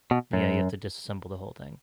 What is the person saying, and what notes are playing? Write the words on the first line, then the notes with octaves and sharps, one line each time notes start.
Yeah, you've to disassemble the whole thing.
B2
F#2